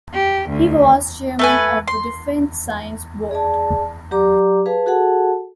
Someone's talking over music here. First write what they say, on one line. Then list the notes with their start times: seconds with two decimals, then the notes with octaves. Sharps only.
He was Chairman of the Defense Science Board.
0.13 G4
0.50 D2
1.39 A3 B4 G#5
1.88 C6
3.31 G#4 D5 A5
4.11 F#3 G4 D5 A#5 D6
4.66 G#4 B4 F5 A5
4.86 F#4 G#4 A4 F#5 A5